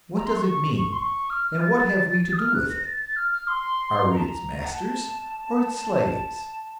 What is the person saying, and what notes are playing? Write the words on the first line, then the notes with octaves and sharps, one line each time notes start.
What does it mean, and what have we to do with it? Are we its masters or its slaves?
A#5
C6
C#6
C6
C#6
F6
A6
A6
D#6
F6
F#6
A#6
A6
A6
F6
F6
C6
A#5
A5
A#5
F#5
A5